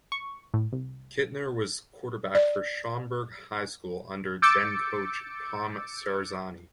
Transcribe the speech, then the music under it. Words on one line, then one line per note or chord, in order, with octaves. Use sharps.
Kittner was quarterback for Schaumburg High School under then-coach Tom Cerasani.
C#6
A2
C2
D5
D6 E6 G6 A6 C#7 D7